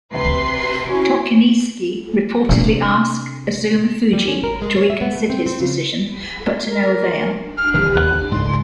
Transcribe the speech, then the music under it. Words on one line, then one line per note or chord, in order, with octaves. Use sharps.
Tochinishiki reportedly asked Azumafuji to reconsider his decision, but to no avail.
C3 B4 C6 C7
C#4 E4 F#4
C3 D4
G3
C#4
A#4
G#3
C#5
E5
B3
A3
C4
C4
C#3
A#4
F6
C2 D#3 E3 F6
D#2 F#6
C#2 G#2 C6